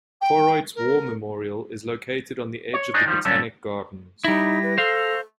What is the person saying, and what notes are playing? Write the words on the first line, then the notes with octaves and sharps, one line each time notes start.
Koroit's War Memorial is located on the edge of the Botanic Gardens.
G5
A#4
C#5
D4 D#4 G#4
D#3 F3 G3
G2 D3 F#3 C#4 A4 A5
G3 D#4 E4 A#6
B4
A4 C5 F5